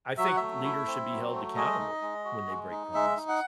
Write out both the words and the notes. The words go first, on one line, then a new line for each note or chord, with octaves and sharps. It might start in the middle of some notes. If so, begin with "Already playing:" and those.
I think d leaders should be held accountable when they break promises.
F#3 E5
F#5
A3 E5
E4
C4
F#3
A3
G#3 D#5
D#4
G#3
F#4
G#3
D#4
G#3 E5
D#4
F#5